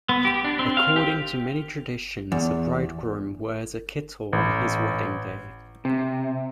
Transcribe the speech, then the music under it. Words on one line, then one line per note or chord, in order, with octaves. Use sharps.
According to many traditions a bridegroom wears a "kittel" on his wedding day.
B3
G4
D4
C4
F5
G4
E2
A1
C3